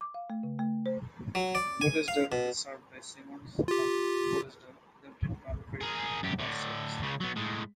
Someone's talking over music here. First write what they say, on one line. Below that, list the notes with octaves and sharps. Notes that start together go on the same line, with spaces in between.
Botesdale is served by Simonds of Botesdale Limited's Country Link bus service.
D6
F5
A3
C#3
A3
C5
F#3
D5
G#5
F5
B2
F4 G4
G#4 A#4
F#2 G4
A2 D3
C#2 C#3
F#3 B3
A2 G#3